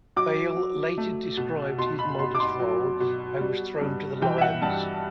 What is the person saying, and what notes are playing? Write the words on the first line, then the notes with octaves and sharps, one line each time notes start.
Vale later described his modest role: I was thrown to the lions.
F#3 D6
F#3
A3
B2
B2 C6
B5
B2 C6
D6
C6
F#3
B2
G3
G2
E3 G5
E5
F#5
G2 A5